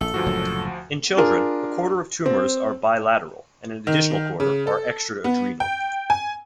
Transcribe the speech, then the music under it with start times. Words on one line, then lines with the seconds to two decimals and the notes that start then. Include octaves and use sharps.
In children, a quarter of tumors are bilateral, and an additional quarter are extra-adrenal.
0.01 A#1 A4
0.14 D2 G2 F3 F#4
0.26 F#1 A2 F#3
1.17 D4 F4 G#4 A#4
2.26 C4
3.87 D#3
4.40 C#3
4.67 A4
5.24 B3
5.60 G5
6.10 G#5